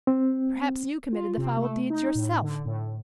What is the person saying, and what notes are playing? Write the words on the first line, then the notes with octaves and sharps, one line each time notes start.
"Perhaps you committed the foul deeds yourself."
C4
F4
C3
A3
D#4
A2
D3
A2